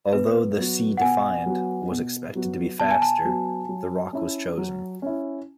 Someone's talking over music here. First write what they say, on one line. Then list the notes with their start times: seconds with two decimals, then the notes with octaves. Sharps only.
Although the "Sea Defiant" was expected to be faster, the Roc was chosen.
0.13 B2 B4
0.57 F#3 B3 F#4
0.97 F#5
1.01 B2 G#5
1.46 F#3 B3 F#4
1.91 B2
2.35 F#3 B3 F#4
2.80 B2 A5
2.91 G#5
3.02 A5
3.25 F#3 B3 F#4
3.69 F#3
4.13 C#4 E4
4.58 F#3
5.02 C#4 E4